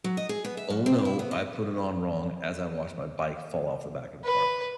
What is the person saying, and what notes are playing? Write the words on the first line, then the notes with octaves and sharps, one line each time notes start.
"Oh, no, I put it on wrong." as I watched my bike fall off the back of the car,
F#3
D#5
G#4
B3
E5
F#2
C4
E4
B3
D#5
B4